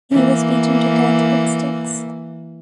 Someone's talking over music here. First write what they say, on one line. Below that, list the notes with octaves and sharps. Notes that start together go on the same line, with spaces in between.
He was beaten to death with sticks.
E3 A#3